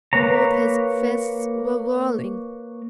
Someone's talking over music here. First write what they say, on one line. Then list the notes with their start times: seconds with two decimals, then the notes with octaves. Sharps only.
Both his fists were whirling.
0.13 A#3 B4 C#5 A#5